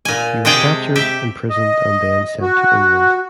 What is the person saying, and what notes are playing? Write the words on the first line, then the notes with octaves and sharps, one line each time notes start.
He was captured, imprisoned and then sent to England.
A#2 G#5
C3 G#3 G#4 G5 A5
G4 E5
D#5
F#4